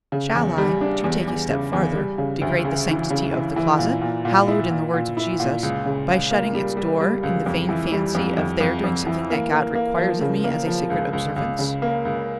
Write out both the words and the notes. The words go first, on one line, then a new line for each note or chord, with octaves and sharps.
Shall I, to take a step farther, degrade the sanctity of the closet, hallowed in the words of Jesus, by shutting its door in the vain fancy of there doing something that God requires of me as a sacred OBSERVANCE?
C#3
E2
G3
D4
E2
E2
C#3
E2
G3
C#3
D2
C#3
E3
C#3
E3
E3
A#2
A#2
A#2
E4
A#2
A#2
E4
A#2
C#2
C#3
C#2
A#3
G3
G3
G3
C#2
F2
E3
G3
F2
F2
F2
F2
E3
A#3
A#3
A#3
F3
C#3
A#3
F3
C#2
C#2
C#2
C#3
A#3
C#2